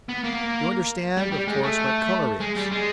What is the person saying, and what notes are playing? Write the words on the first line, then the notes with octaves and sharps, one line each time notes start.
You understand, of course, what color is?
B3
A#3
G3
G3
G#3
A3
G#3
G3
G#3